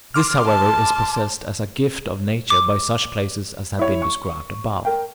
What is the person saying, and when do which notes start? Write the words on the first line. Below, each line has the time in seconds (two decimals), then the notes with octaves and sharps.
This, however, is possessed as a gift of nature by such places as have been described above.
0.14 C6 D6 F6
0.46 A5
2.50 D6
3.79 E4 C#5
4.02 C#6
4.85 A#4 G5